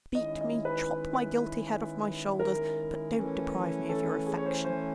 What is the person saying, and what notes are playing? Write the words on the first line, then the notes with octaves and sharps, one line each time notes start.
Beat me, chop my guilty head off my shoulders, but don't deprive me of your affection.
D#3 G#3 C#4 E4 D#5
D#5
B4
A#4
E3 A3 C#4
A4
A4
G#4
C#5
C5
C5